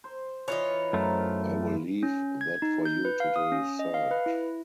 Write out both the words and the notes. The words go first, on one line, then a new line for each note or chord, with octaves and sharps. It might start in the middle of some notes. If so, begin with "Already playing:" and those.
I will leave that for you to decide.
C5
E3 D#4 F4 B4 C#5 F5
F#2 A3 A#4 C5
C#4
G#6
D#4
G6
B4
F5
D#6
C#4
D#5
F5
B4
E4